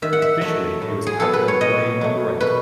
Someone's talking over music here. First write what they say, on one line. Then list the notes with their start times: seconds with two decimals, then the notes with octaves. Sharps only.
Officially he was Apple employee number eight.
0.02 D#3 E5
0.13 F#5
0.22 E5
0.41 F#3 A3 E5
0.82 A2
1.07 G#4
1.20 F#3 B3 A4
1.33 B4
1.48 C#5
1.61 B2 D#5
2.01 F#3 A3
2.41 B2 B4